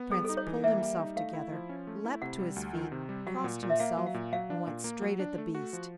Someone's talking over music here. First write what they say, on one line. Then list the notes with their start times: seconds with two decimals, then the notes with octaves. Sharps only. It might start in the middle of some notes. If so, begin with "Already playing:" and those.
The Prince pulled himself together, leapt to his feet, crossed himself, and went straight at the beast.
Already playing: B3
0.11 G3 G#4
0.25 D#4 A4
0.37 C#5
0.47 E3
0.64 A#3 E5
0.81 G3
0.99 D#4
1.16 A3 F5
1.33 E4
1.52 F3
1.69 C#4
1.87 A3
2.05 E4
2.22 C3 F#5
2.39 G3
2.56 D2
2.74 D#3
2.92 C3
3.09 G3
3.27 F#3 F#5
3.44 A#2
3.63 A#2
3.70 E5
3.80 A#3 F5
3.97 F#3
4.06 F5
4.14 A#2
4.32 F#3 F5
4.50 D4
4.67 A#2
4.84 A#3
5.02 F#3
5.20 D4
5.38 A3
5.55 F#4
5.73 F3